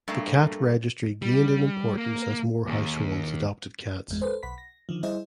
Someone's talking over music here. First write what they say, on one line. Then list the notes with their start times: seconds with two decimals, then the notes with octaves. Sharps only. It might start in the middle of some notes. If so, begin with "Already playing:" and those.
The cat registry gained in importance as more households adopted cats.
0.08 G2 A3 A#3
1.22 G3
1.97 A#3
2.67 D#2
4.08 G1 E2 G#3
4.21 A4 B4 C5
4.43 B1 F#5 B5 B6
4.58 A#6
4.89 D3 D#3 F3
5.03 G3 E4 G#4 C5 D#5 E5